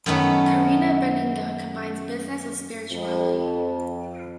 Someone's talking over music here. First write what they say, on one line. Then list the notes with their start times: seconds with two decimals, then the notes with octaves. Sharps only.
Carina Benninga combines business with spirituality.
0.06 F#2 D#3 A3 B3 C#4
2.92 F2